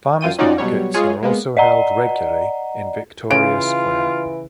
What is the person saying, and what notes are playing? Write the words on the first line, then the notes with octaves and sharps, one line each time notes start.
Farmers' markets are also held regularly in Victoria Square.
F#2 F4 G5 D#7
C#4 D#4 F4 F#4 D5
B2 F#3 G3 C#5
G#3 F4 G#4 C#5
G#3 A#3 B3
D5 D#5 F#5 A#5
C#3 E3 F4 D7